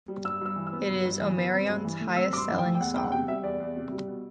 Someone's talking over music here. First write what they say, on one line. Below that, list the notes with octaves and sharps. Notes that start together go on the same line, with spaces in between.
It is Omarion's highest selling song.
G3
G2 E6
G2 E6
E3
E6
B3
G2
G2
E3
B3
C4
G2
E3
A3
C4 E6
G2 C6 D6
E3
G5
A3
G5
E2 F#5
E2 G5
F#5
C3 G5
G3 E5
E2 D5
E2
C3
G3
B2